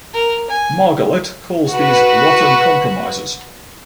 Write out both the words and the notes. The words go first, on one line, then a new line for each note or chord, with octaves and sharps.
Margalit calls these rotten compromises.
A#4
G#5
F#4 B4